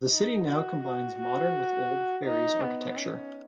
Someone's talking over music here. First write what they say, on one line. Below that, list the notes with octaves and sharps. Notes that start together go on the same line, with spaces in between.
The city now combines modern with old faries architecture.
D#4
F#4
F#4
F#4
D#4
B3
C#4